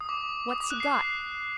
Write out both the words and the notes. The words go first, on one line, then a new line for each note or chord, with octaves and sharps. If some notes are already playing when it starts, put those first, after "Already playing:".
What's he got?
D#6
D6
D#6
D6
F#6
C7
C7